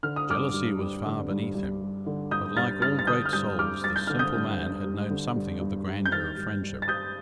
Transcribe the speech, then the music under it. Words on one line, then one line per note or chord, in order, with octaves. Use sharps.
Jealousy was far beneath him, but, like all great souls, this simple man had known something of the grandeur of friendship.
D3 F6
D#6
G2 D6 F6
G2
G3
D3
G2
G2
G3
D3
G2 D#6 G6
G2 F6 A6
G3 F6 A6
A6
D3 D#6 G6
F6
G2 D#6 G6
G2 D6 F6
G3 A6
G6
D3 F6
D#6 G6
G2
G2
G3
D3
G2
G2
G3
G6
D#3 F6 A6
G2
G2
A6
G3 D#6 G6